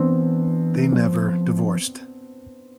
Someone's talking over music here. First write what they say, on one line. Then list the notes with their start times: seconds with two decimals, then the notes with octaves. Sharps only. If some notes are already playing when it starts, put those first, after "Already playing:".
They never divorced.
Already playing: E3 B3 C4 D4
0.92 F3